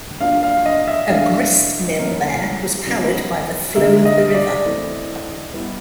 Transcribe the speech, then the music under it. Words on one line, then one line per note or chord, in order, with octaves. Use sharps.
A grist mill there was powered by the flow of the river.
F#3 A#3 D4 F4 F5
F5
D#5
E5
E3 A3 D4 F5
G3 A#3 C#4 E4
C#3 F#3 B3 D#4
D3 F#3 A#3 D#4 E5
D#5
D5
E3 A3 C4 E4
G3 B3 E4